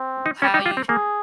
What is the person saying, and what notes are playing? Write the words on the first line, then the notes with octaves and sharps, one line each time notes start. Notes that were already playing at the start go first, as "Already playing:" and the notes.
W how you
Already playing: C4
D#4
C#4 G4
D#4
F4
C4
A#3 G#4